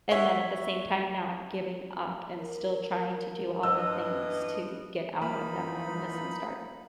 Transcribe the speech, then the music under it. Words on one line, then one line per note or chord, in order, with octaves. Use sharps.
and then at the same time, not giving up, and still trying to do all the things to get out of that illness and start
C#5 E5 F#5
A#4
G2 E3 B4 D#5 E6
E3 F3 A#3 D#4 B5